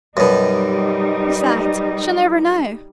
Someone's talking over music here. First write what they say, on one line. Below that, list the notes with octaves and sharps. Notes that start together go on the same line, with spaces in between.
Besides, she'll never know.
F#2 B2 G3 D#4